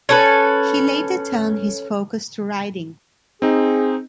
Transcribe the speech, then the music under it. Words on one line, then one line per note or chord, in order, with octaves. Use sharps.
He later turned his focus to writing.
C#4 A4 B4
C4 D#4 G#4